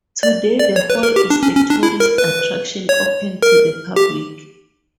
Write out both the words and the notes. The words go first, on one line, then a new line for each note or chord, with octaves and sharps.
Today the hall is a tourist attraction open to the public.
D5
D5
C#5
B4
A#4
G4
D4
C#4
C#4
D4
E4
A#4
B4
C#5
A#4
G4